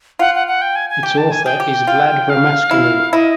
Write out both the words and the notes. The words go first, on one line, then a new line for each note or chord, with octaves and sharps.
Its author is Vlad Romascanu.
F4 F#5
F#5
F#5
G5
G#5
G#5
G4 G5
A5
G#5
G#4 G5
G4
F4
F5
E4
E4 D#5